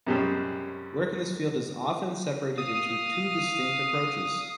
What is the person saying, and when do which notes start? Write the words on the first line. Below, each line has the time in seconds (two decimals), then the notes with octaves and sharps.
Work in this field is often separated into two distinct approaches.
0.07 F#2 C3 G3 G#3 C4 C#4
2.58 F5 D#6